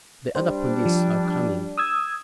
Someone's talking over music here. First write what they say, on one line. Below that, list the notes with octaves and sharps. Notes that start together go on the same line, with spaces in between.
The other police are coming.
G3 D4 C5
F3
D#6 E6 G#6